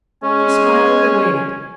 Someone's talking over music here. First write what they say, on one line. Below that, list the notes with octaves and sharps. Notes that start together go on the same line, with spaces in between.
She smilingly waited.
G#3 C#4 G#5